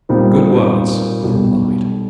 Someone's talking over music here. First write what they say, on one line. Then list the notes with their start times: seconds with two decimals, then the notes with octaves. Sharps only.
'Good words,' I replied.
0.09 A#2 G3 C4 D#4
1.23 B1 B2 G3